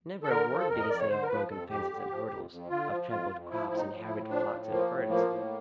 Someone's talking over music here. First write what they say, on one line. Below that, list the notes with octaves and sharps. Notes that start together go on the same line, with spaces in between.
Never a word did he say of broken fences and hurdles, of trampled crops and harried flocks and herds.
A4
D3 A#4
F3
A4
F2 A#4
D#5
F2 D5
C#5
D3 C5
A#4
F3 B4
F2 A4
F2 G4
D3
F3
F2
F2
D3 F4
F3
F2 F4
F2
F3 E4
A2 E4
D#4
F3
E4
A2
F3 D4
A2
F3 A#3
A2
F3 A#3
A2